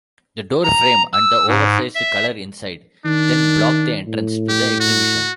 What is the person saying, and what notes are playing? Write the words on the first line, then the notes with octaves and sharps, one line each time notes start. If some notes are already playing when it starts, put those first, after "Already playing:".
The doorframe and the oversized color inside, then block the entrance to the exhibition.
A#5
E6
G#2
E5
D#3 D4
A2
G4
F#4